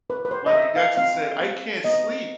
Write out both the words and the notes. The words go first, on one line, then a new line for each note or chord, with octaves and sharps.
Michael Jackson said, "I can't sleep
C4 B4
B4
C5
D#5
C4 E5
F5
C4 F5
C4
B3 D#5